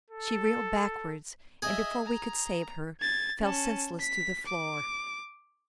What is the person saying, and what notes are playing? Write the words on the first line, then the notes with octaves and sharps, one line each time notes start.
She reeled backwards, and before we could save her, fell senseless to the floor.
A4
G#4 D#5 E5
A#5
G#6 A6
C#4 A5
B6
D6